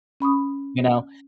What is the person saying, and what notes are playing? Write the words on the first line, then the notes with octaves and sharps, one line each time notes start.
You know,
C#4 B5 C#6 D#6